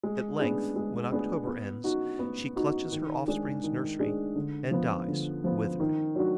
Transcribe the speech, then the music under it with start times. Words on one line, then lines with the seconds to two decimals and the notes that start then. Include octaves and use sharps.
At length, when October ends, she clutches her offspring's nursery and dies withered.
0.03 G#3
0.40 B3 D4 G#4
0.76 G#3
1.12 B3 D4 G#4
1.47 B3
1.84 D#4 F#4
2.19 B3
2.56 D#4 F#4
2.92 D#3
3.28 G#3 D4 G#4
3.64 D#3
4.00 G#3 D4 G#4
4.36 D3
4.71 F3 B3
5.08 D3
5.44 F3 B3
5.80 D#3
6.16 F#3 D4 F#4